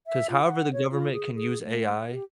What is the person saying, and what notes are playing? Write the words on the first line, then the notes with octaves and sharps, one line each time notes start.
'Cause however the government can use AI,
E5
F4
F#5
C#5
F4
G#4
G#4
A3
G4